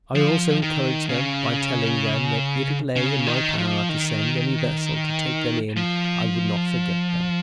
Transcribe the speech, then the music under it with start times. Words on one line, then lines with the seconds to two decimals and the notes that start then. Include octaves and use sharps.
I also encouraged them, by telling them that if it lay in my power to send any vessel to take them in, I would not forget them.
0.16 F3
0.62 D#3
1.09 C#3
2.96 C#3
3.27 D#3
3.58 F3
3.89 D#3
5.77 F3